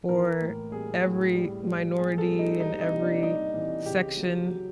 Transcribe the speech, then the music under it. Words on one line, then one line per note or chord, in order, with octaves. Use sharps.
for every minority and every section,
E3 A#4
A2
G3 G#4
A2
G3
G3
G3 G#4
A4
G3
D#4
G3 D#4
D#4
C3
D4
G3 D#4
E3
C#3 G4
F#3
F#3